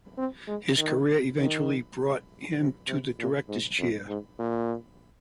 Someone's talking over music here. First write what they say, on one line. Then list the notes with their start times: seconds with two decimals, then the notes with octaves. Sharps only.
His career eventually brought him to director's chair.
0.17 C4
0.47 G#3
0.78 D#3
1.38 D#3
2.59 C3
2.88 C3
3.19 A#2
3.48 G#2
3.79 F2
4.08 G#2
4.39 A#2